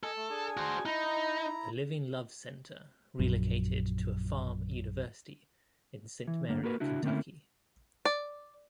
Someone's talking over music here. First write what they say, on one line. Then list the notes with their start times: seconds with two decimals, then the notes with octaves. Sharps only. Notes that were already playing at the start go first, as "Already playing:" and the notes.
The Living Love Center relocated to a farm-university in Saint Mary, Kentucky.
0.03 A4 D#5 G#5
0.17 A3
0.30 D4 G#4 G#5
0.57 F#4 C5
0.86 D#4 E4 A#5
3.19 A#1 F#2
6.27 E3
6.47 D2 G2 D3 A#3
6.63 A#3 F#4 A#4 B4
6.80 C#3 D4 E4 F#4
7.03 D3 A3 A#3 C4 C#4 E4
8.05 D5